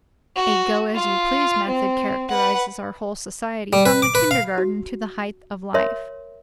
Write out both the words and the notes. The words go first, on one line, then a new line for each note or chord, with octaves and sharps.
A go-as-you-please method characterizes our whole society from the kindergarten to the height of life.
F#4
F4
C4
B4 F#5
G3
B4
D6
B4
F5
F#4
A#4 C#5 E5 C6